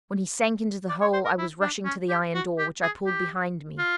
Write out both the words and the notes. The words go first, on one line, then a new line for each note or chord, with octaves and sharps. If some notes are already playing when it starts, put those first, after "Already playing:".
When he sank into the hole, I was rushing to the iron door, which I pulled behind me.
D5
C#5
C5
A#4
E4
D4
C#4
G4
F#4
G4
G#4
G4
F4